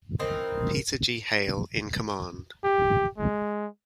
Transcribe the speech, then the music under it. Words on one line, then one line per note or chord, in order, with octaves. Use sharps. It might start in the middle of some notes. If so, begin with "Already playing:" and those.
Peter G. Hale in command.
E3 C4 D#4 A#4
G4
G#3